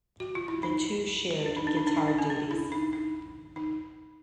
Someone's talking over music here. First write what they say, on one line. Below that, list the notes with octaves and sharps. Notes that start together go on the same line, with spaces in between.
The two shared guitar duties.
F#4
F4
E4
D#4
D4
D#4
D4
D#4
D4
D#4
D4
C#4
D4
E4
D#4
D#4
D#4